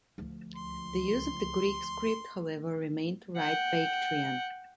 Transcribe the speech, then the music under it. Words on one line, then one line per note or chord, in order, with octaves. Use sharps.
The use of the Greek script however remained to write Bactrian.
D2 F3
C#2 C6
F#5 G5